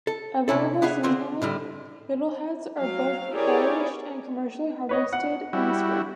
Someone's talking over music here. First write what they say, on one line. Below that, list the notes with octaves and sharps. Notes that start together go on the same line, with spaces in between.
Available seasonally, fiddleheads are both foraged and commercially harvested in spring.
A4
C3 C#4 E4 A4
B3 D4 G#4 E5 F5
D3 C4 F4 G#4
A2 D3 G3
F#3 F5
E4 G4 G#4 A#4 C#5 D5
B4 C#5 D#5
F#5
G3 E4 F#4